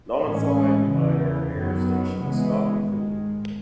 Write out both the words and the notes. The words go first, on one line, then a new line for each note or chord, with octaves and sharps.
Non-flying minor Air Stations not included.
A2 E3 G#3 C#4
E2 C#3 E3
F#2 D#3 F#3 B3
C#3 E3 G#3 B3
G#2 D#3 G#3